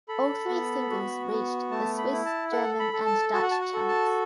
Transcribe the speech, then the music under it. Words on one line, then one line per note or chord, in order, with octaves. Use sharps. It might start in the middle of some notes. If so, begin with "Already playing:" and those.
All three singles reached the Swiss German and Dutch charts.
A4 B5
B3
F#4
B3
A3 A5
B5
E4
A5
A4 F#5
B5
A4
A5
F#4 A5
F#5
A5
F#5
A4
A5